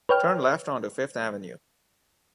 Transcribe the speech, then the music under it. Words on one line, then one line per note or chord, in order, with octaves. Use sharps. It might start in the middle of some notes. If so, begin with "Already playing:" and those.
Turn left onto Fifth Avenue.
B4 C#5 G5 F6